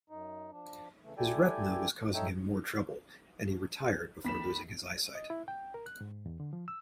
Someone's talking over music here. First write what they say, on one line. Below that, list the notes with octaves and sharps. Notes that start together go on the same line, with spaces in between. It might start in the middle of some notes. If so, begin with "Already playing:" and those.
His retina was causing him more trouble, and he retired before losing his eyesight.
F#2 D#4
F3 D4
C#3 E3 A3
E4 G4 A4 D5 G5 G#5
D#4 A4 C#5 E5 G5
D#2 B5 B6 E7
D#5
E4
G5
A#4
F#6
G#2
E2
D3
F3
E6